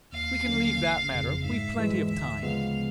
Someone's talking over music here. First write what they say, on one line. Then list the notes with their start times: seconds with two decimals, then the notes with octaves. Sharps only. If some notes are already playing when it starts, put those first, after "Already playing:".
We can leave that matter--we've plenty of time.
0.12 D#2 F5
0.45 D3 F#3 A#3 C#4
0.78 G1
1.11 F2 C#3
1.44 G#2 E5
1.77 E3 G#3
2.09 D2 E5
2.42 C#3 F3 G#3 B3 F5